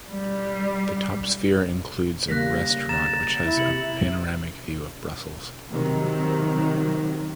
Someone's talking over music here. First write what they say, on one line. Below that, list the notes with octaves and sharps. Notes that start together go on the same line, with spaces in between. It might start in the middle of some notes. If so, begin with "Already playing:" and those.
The top sphere includes a restaurant which has a panoramic view of Brussels.
G3
C#3 G3 A#3 F#6 A#6 B6
A#5 A6 E7
E4
C3 C#7 F#7
C3 D#3 F#3